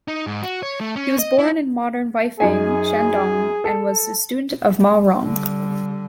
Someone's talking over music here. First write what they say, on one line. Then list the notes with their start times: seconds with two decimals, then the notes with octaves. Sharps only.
He was born in modern Weifang, Shandong, and was a student of Ma Rong.
0.08 D#4
0.27 G#2
0.43 F#4
0.63 C#5
0.81 A3
0.96 C#4
1.19 D#5
1.38 E4
2.40 F#2 D#4 G#4 G#5
3.64 A4 A5
5.22 D3 G3